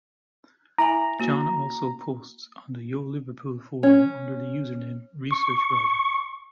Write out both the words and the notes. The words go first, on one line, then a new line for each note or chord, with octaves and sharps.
John also posts on the YoLiverpool forum under the username ResearchWriter.
E4 E5 G#5 A#5
A#3 F#4
C#4
C#6